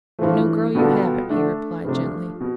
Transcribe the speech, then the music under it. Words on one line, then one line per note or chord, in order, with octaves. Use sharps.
"No, girl, you haven't," he replied gently.
G2 E3 F3 A3
B2 D3 G3 B3 F4 A4
D3 A3 D4 A4
G2 C3 F3 A3 D4
B2